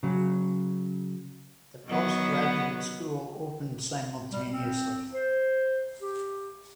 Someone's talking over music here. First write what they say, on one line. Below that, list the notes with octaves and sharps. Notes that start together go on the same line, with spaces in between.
The postgraduate school opened simultaneously.
C#3 F#3
D#3 F#3 B3
G3
C4
C5
G4